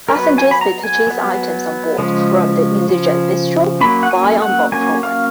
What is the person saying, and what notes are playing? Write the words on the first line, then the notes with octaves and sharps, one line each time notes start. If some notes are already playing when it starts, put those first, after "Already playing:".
Passengers may purchase items on board from the "easyJet Bistro" buy on board programme.
A#4
F#3 B3 B4
G#5
B5
A#5
G#5
F#3 B3
C#3 F3 G#3
C#3 F3
F#3 A#3 C#4 B5
F#5
G#5
F#5
F#3 A#3 C#4 G#5
F5